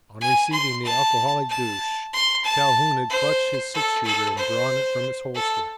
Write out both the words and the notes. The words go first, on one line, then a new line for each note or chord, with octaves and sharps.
On receiving the alcoholic douche, Calhoun had clutched his six-shooter, and drawn it from its holster.
G#5
C6
A5
A5
C6
A5
C5
A4
A4
C5
A4